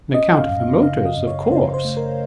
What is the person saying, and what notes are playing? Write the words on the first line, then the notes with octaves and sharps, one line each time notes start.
"On account of the motors, of course."
C#4 D#5
F5
F#2
F5
C#3 F5
D#5
F#2
C#5
C#3 C5
C5
A3
A#4